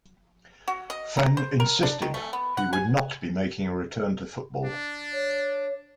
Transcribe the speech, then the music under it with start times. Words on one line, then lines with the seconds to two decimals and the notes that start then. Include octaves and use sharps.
Fenn insisted he would not be making a return to football.
0.68 F#4
0.90 D#5
1.17 A#5
1.37 C5
1.60 A#4
1.83 D4
2.02 D#3
2.14 A3
2.33 B3
2.57 F#5
2.73 G#5
4.66 D4
5.13 C#5